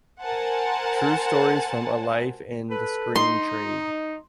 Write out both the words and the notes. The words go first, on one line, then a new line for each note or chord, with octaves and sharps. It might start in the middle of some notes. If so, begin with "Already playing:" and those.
True Stories From A Life in the Screen Trade.
A#4 C5 F#5 G#5 A5
A4 B4
D#4 C6